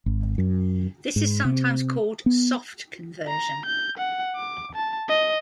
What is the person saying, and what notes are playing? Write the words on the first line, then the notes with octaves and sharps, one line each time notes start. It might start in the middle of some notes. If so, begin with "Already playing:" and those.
This is sometimes called "soft conversion".
G#1
F#2
G#2
C3
B3
A#5
G6
F#5
D6
A5
D#5